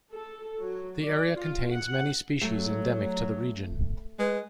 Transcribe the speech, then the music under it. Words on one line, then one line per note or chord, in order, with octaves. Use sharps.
The area contains many species endemic to the region.
A4
F#3
D5
F4
F#5
F#3 A3
G#3 B4